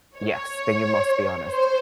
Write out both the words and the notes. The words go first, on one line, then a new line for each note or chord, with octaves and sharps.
Yes, then you must be honest.
C#5
C5